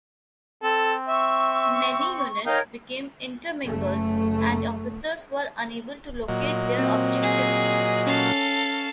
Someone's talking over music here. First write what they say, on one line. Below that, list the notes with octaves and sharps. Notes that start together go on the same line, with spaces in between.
Many units became intermingled and officers were unable to locate their objectives.
C4 A4
E5 C#6
D#4 A#4 C#5 F5 G5
F#1 C#3 A3
A#2 F#3 D#5
C4
G#4
C#4 A4 F5